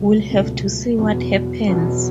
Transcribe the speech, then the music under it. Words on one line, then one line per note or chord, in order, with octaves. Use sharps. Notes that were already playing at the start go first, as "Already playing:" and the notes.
We’ll have to see what happens.
Already playing: C#2 B2 F#3 A3
C#2 B2 F#3 A3
E2 B2 F#3
E2 B2 F#3